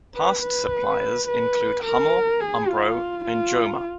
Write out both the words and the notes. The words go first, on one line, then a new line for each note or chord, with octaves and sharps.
Past suppliers include Hummel, Umbro and Joma.
B4
B4
B4
A#4
G#4
F4
F4